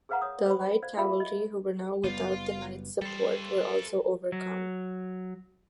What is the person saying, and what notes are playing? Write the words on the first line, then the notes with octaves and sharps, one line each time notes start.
The light cavalry, who were now without the knights' support, were also overcome.
G#4 A#4 B4 F5 F#5 A#5
C#5 D#6
C5 B5
C5 D5 F5
F4 G#4 A#4 E5 F5 B5
D#5
F#1 G3 B3 F4
G3 A4 C5
F#3